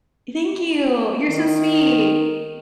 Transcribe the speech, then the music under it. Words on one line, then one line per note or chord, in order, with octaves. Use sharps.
Thank you. You're so sweet.
D#3